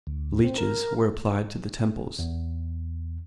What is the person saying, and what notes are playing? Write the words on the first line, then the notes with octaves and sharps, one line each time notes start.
Leeches were applied to the temples.
D2
C4
A#4
E2